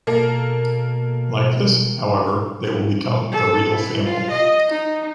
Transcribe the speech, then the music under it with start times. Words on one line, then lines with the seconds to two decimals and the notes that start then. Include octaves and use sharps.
Like this, however, they will become a real family.
0.07 B2 A#3 A4 A#4
3.32 A4
3.71 E4
4.03 F4
4.31 D#5
4.69 D#4